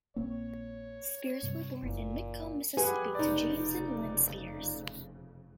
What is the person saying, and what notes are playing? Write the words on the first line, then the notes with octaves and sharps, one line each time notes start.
Spears was born in McComb, Mississippi, to James and Lynne Spears.
A#1 A#3 C4 C#5
G2 C3
F#1 A#2
F2 G4 G#4 B4 F#5 G#5
F1 F2 C#3 D#4 D5